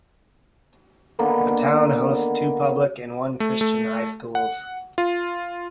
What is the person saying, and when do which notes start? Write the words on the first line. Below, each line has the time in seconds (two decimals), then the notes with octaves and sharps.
The town hosts two public and one Christian high schools.
1.19 D3 D#3 A#3 B3
3.40 A3
3.61 A3
4.35 F#5
4.98 F4